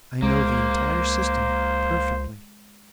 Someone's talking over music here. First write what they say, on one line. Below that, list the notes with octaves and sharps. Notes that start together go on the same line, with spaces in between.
I know the entire system perfectly.
C#2 G#3 A#3 C5